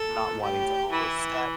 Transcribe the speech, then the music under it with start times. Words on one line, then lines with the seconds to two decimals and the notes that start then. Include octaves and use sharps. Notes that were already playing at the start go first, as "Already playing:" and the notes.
not wanting to overstep,
Already playing: A4
0.09 A#2
0.26 A#2
0.42 A2 G4
0.92 E3 E4